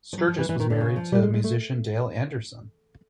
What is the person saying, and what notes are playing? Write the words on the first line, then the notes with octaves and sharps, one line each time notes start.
Sturgess was married to musician Dale Anderson.
F3
F#3
F3
E3
E3
D#3
D3
C#3
F3
G3
G#3
G#3
A3